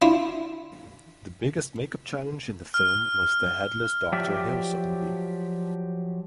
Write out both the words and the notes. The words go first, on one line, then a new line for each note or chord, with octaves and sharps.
The biggest makeup challenge in the film was the headless Doctor Hill zombie.
D4 E4 F4
F6
F3 F#3 G4 D5 E5